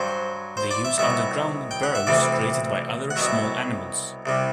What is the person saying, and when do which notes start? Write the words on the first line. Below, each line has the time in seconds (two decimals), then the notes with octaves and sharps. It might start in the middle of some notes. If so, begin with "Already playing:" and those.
They use underground burrows created by other small animals.
Already playing: G2 F#3 C5
0.57 C5
0.71 D5
0.85 E5
0.98 C2 B2 F#3 E5
1.71 G5
1.83 F#5
1.95 E5
2.07 D2 C3 E3 G3 D5
3.10 F#5
3.16 C2 B2 F#3 E5
4.26 C2 C3 G3